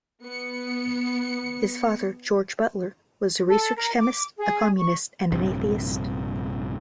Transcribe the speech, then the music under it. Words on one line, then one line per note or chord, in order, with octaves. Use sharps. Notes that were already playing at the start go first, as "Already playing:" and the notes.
His father George Butler was a research chemist, a Communist and an atheist.
B3 C#7
A4
A#4
D6
G#4
C#6
A#1 G2 C3